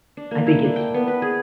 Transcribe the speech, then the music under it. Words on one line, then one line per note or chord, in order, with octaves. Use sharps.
I think it's
D4
A#3
E4
D4
G5
B3
B4
G#4